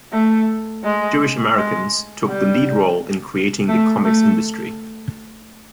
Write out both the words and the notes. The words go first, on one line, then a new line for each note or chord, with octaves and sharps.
Jewish Americans took the lead role in creating the comics industry.
A3
G#3
G#3
G3
A3
A3